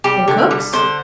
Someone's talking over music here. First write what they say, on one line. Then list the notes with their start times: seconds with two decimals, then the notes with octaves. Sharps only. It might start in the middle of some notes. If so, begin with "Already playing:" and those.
"And cooks?"
0.04 G3 G4
0.28 D3
0.51 G3
0.73 D3 C5